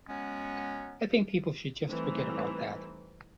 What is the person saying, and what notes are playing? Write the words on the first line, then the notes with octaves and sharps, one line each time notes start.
I think people should just forget about that.
F#3 G#3 B3 C#4
E3 G3 A3 C4 D#4